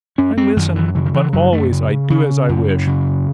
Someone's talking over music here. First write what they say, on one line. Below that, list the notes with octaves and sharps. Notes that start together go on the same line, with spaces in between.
I listen, but always I do as I wish.
F#2 C#4
C4
F#2 D#3
E3
C#3 E3
D#3
E3
F#2 F#3
A3
C#3
C#3
F#2
C#3